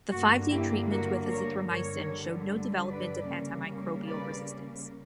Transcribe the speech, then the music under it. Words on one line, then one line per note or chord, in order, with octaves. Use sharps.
The five-day treatment with azithromycin showed no development of antimicrobial resistance.
G2 D3 A#3 F#4
E4 G4
F#4 A#4
A#4 C#5
G2 D3 G3 A#4 C#5
B4 D5
C#3 G3 A#3 C#4
B4 D5